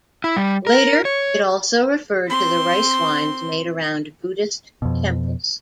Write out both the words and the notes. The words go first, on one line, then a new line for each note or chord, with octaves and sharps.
Later, it also referred to the rice wines made around Buddhist temples.
E4
G3
A#4
C#5
C4 C6
F2 B2